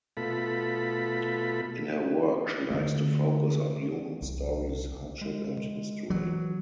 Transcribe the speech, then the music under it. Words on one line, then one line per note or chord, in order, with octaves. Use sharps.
In her work, she likes to focus on human stories, hardship and history.
B2 A3 F4 A4 B5
D3 A3
C2
G#3
E3 F#3